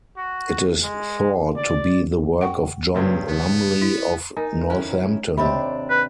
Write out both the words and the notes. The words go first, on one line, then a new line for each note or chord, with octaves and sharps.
It is thought to be the work of John Lumley of Northampton.
F#4
G#3
D5
F#5 G5 C#6
C#2 G2 A#2
B3
E4
D#4 A#4 D#5 G#5
D#3 C#4 E4 C5
D#2 C3 C4 D4 D5 D#5 B5
B4